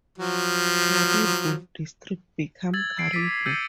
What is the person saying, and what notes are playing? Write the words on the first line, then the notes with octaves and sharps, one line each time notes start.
Cariboo District became Cariboo.
F3 F#3
E6 G#6 A6 F#7
E6 G#6 C7 D7
D6 A6 B6 D#7
E6 G6 A6 C#7 D#7 F#7